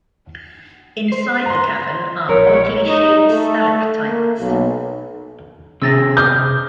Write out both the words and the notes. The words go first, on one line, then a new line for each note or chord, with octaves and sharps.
Inside the cavern are oddly-shaped stalactites.
C5 C7
A#5 C6
A#1 A#4 C#5 B6
D#4
A3
A#3
B1
C3 C4 G#4 E6 A6 A#6
D6 D#6 F6 G6